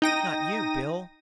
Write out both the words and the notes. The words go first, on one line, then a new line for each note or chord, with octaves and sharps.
Not you, Bill!
D#4 G5 A#6 D#7